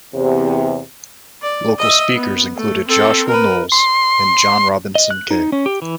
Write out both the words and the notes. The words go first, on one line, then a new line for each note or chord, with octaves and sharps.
Local speakers included Joshua Knowles and John Robinson Kay.
E2 C3
D5
D#5 E5
B3
A3
C4 A4
A#4 B4
C6
D#5
F#6
D#4
C#4
G4
E3